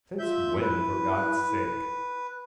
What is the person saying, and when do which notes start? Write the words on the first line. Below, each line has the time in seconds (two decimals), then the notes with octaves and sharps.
Since when, for God' sake?
0.19 F4 E5 G6
0.60 E4 B4